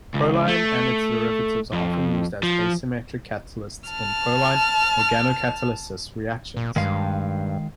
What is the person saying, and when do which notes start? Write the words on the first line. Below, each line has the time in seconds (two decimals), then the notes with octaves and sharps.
Proline and its derivatives are often used as asymmetric catalysts in proline organocatalysis reactions.
0.14 C#2
0.48 A3
1.73 F2
2.43 F3
3.90 A5 F6
6.57 A#2
6.76 G2 D#3 G#3 F5